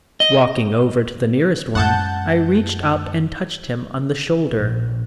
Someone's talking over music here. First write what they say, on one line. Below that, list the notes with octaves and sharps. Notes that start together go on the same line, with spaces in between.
Walking over to the nearest one, I reached up and touched him on the shoulder.
D#5
F#2 G#3 F#5 A5 G6
A#1